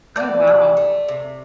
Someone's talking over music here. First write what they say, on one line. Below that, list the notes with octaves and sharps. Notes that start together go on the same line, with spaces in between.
Oh wow.
E3 D5
C3
A3
C3